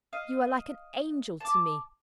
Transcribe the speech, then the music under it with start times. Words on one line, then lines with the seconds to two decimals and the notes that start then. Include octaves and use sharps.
You are like an angel to me.
0.13 D#5 F5
1.40 A5 D6